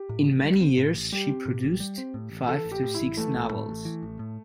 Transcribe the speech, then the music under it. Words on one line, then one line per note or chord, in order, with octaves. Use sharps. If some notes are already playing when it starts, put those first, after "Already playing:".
In many years she produced five to six novels.
Already playing: G4
A2
A1
G3
C4
A2
A1
G3 G4
C4
A2
A1
G3
C4
A2
A1
E3 A4
A1
G4
A2
E4
A1
E3 A3
A1
A2
A1
E3
A1
A2